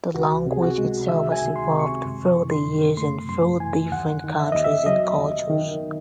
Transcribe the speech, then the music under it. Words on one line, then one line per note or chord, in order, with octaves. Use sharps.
The language itself has evolved through the years and through different countries and cultures.
C#2 F#4
C3 G#4
F#4
G#3
D#3 E5
G#5
C#2
C6
C3
C#6
F#2
E3
C6
F#2
A3 C6
F#2 C6
E3 G#5
D#2 F#5
D#3
E5
D#2 D#5
E5
F#3 D#5
D#2
D#3